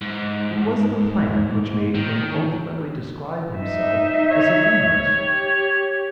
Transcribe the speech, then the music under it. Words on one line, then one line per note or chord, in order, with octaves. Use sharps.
It was the plan which made him ultimately describe himself as a humorist.
G#2
D#3
D#4 E5
C#5
G4